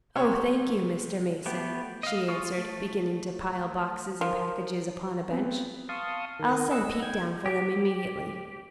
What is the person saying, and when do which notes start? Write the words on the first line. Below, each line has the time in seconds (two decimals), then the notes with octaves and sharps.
"Oh, thank you, Mr. Mason," she answered, beginning to pile boxes and packages upon a bench, I'll send Pete down for them immediately.
0.16 C3 C#5
1.46 A3 B3 G4
2.03 D#5 F5
2.28 F4 C#6 D#6 F6
2.58 A3
4.21 F3 A#4
5.30 B3 C4
5.89 F5 A5 C6 C#6 D#6
6.39 D#3 A#4
6.71 D#5 F#5 E6
7.02 G5 G#6
7.46 G4